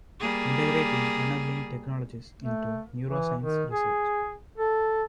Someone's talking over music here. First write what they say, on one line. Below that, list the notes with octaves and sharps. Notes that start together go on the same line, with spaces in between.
Integrating Enabling Technologies Into Neuroscience Research.
G3 A#3 G#4
A3
E3
D#3
G#4
A4